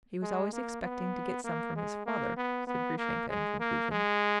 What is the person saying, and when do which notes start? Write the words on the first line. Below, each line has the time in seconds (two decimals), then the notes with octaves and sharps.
"He was always expecting to get some from his father," said Grushenka in conclusion.
0.22 G#3
0.53 A#3
0.83 B3
1.44 A#3
1.76 G#3
2.06 A#3
2.37 B3
2.67 B3
2.98 A#3
3.30 G#3
3.60 A#3
3.91 G#3